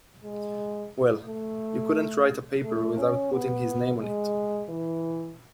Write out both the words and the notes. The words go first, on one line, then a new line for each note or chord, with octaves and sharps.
Well, you couldn't write a paper without putting his name on it.
G#3
A3
A3
C#4
B3
G#3
E3